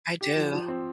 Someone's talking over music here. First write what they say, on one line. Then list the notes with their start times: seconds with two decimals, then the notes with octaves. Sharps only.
I do.
0.21 G4
0.36 F3
0.53 F3
0.68 C4